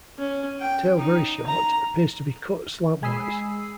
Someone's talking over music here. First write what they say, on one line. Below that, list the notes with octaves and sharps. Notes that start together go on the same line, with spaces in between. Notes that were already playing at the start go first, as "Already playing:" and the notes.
Tail very short, appears to be cut slant-wise.
C#4
G5
D#4
A#5
G#3 G#5 B5 D#6 E6 C7